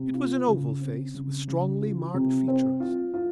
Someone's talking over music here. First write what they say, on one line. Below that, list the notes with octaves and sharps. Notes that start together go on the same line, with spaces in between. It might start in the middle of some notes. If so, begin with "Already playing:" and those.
It was an oval face with strongly marked features.
Already playing: C3
F4
C#3
C4
C#3
C#3
F4
C3
C4
F4
F4